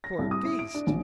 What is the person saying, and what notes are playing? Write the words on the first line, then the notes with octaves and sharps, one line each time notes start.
"Poor beast!"
A#6
C2
D#6
E4
D7
D4
A#1